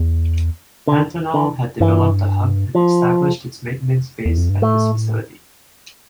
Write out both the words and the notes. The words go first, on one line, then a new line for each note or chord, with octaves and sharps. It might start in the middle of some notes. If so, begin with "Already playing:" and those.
Pantanal had developed a hub and established its maintenance base at this facility.
Already playing: E2
D3
D3
G2 E3
F3
E2
F2
G2
A2 A3